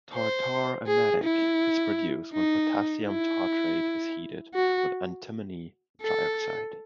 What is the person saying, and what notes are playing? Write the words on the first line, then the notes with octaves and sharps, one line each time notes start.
Tartar emetic is produced when potassium tartrate is heated with antimony trioxide.
C5
G#4
E4
D#4
E4
F#4
A4